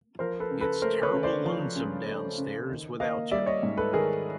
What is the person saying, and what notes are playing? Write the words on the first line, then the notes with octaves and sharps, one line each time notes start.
It’s terrible lonesome downstairs without you.
F3 A#4 C5
A4 B4
C#3
A4 B4
A3 A#4 C5
B4 C#5
C#3
C5 D5
F3
C#3
A3
C#3
D#3
A#3 D#5 F5
G3 D5 E5
C#5 D#5
G#2
A4 B4
D#3 G#4 A#4